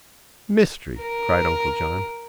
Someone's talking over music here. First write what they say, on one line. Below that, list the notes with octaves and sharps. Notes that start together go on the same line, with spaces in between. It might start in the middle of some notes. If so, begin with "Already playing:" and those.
"Mystery!" cried Uncle John.
A#4